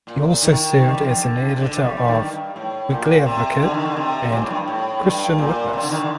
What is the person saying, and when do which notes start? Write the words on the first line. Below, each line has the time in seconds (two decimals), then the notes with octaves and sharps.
He also served as an editor of "Weekly Advocate" and "Christian Witness".
0.07 A#2
0.42 D#3
0.79 D#3
0.90 G3
1.01 F3
1.14 D3
1.49 C3
1.61 D3
1.84 G3
1.97 G3
2.08 D#3
2.19 G2
2.56 A2
2.90 A#2
3.26 C3
3.62 D3
3.74 D#3
3.86 D3
3.97 C3
4.32 A#2
4.42 A2
4.50 G2
4.67 A2
5.03 G2
5.38 A#2
5.73 C3
5.83 D3
5.91 D#3
6.00 D3